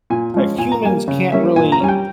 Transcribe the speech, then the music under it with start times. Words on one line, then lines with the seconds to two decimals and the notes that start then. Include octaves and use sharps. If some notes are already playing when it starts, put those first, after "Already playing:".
uh, humans can't really
0.10 A#2 G#5
0.34 F3 G#3 C#4
0.58 A#2 G#5
0.72 A#5
0.83 G3 A#3 G#5
1.08 C#3
1.32 G3 A#3 C#4 E5
1.56 A#2 G#5
1.72 A#5
1.80 G3 C#4 G#5
1.88 G5